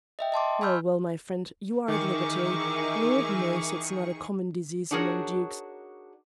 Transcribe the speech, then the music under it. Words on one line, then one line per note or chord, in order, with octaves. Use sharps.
Well, well, my friend, you are at liberty; Lord knows, it's not a common disease among dukes!
D#5 E5 G5
D#5 A5 C6 D6
G#5 B5 C#6 E6 F6 G6
D#3 E3 D#4 G#4 A#4 E5 C#6 D6
D4 D#4 F#4 G#4 A#4 C#5